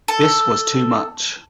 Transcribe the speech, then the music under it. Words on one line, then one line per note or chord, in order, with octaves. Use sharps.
This was too much.
A4